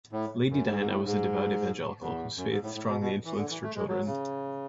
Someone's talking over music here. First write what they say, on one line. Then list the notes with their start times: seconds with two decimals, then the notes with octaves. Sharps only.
Lady Diana was a devout evangelical whose faith strongly influenced her children.
0.12 A2
0.50 F#2
0.68 G#2
0.80 G#2
0.88 A2
1.06 G#2
2.01 E2
2.37 F#2
2.51 G#2
2.63 A2
2.75 A2
2.88 B2
3.01 B2
3.25 E3
3.37 D3
3.50 E3
3.63 A3
3.75 G#3
3.88 F#3
4.06 C#3